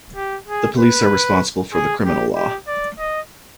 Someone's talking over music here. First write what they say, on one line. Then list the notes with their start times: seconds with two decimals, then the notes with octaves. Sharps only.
The Police are responsible for the criminal law.
0.16 G4
0.48 G#4
0.79 B4
1.73 G#4
2.05 G4
2.35 G4
2.67 D5
2.99 D#5